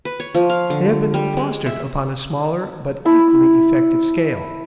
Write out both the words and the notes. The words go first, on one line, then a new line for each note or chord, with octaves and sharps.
They have been fostered upon a smaller but equally effective scale.
B4
C#5
F3
F5
D3
G3
G#3
E5
E4 A5